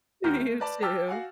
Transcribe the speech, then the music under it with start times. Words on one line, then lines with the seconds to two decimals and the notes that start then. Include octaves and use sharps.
You too.
0.24 D#2 D#3 F#4 A#5 F6 G6
0.39 A3
0.60 B4 D5 A5
0.82 G5 A5 D6 E6 F6 A6
1.08 F#4 F5 F#5 G#5